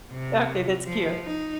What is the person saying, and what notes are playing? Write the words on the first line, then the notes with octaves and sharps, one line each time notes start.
Okay. That's cute.
C3
F3
D#4